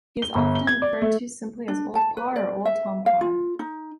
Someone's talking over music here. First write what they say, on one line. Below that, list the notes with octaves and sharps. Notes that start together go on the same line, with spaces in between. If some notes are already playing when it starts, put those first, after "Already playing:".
He is often referred to simply as Old Parr or Old Tom Parr.
G7
G1
G7
G#6
D5
A3
D4
A5
B4
D5
E5
F5
F4
D#4